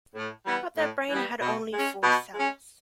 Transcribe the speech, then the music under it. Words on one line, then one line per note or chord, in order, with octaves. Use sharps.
But their brain had only four cells.
A2
E3 G3 B3
A2
E3 G3 B3
B2
G#3
C#4
B2
G#3 C#4